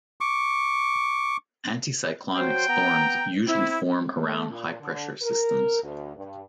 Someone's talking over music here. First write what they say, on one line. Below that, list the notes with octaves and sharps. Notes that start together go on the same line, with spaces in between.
Anticyclonic storms usually form around high-pressure systems.
C#6 D6
F#3 F#4 C5 G5
B3 A#5
C4 E4
A3
A#2
D3
A#4
D2
G2